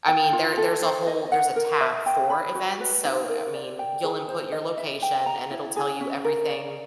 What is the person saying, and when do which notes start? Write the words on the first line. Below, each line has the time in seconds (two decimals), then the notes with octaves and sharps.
I mean, there there's a whole there's a tab for events, so, I mean, you'll input your location and it'll tell you everything,
0.08 G5
0.33 F4
0.58 A4
0.82 C5
1.07 D#5
1.32 F#5
1.56 A#4
1.81 E5
2.06 G5
2.30 B5
2.55 F#4
2.80 B4
3.05 D#4
3.29 A#4
3.54 D5
3.79 G5
4.04 G#4
4.28 C5
4.52 D#5
4.77 E5
5.02 G5
5.26 A#5
5.51 E4
5.76 G#4
6.01 C#4
6.25 A#4
6.50 D5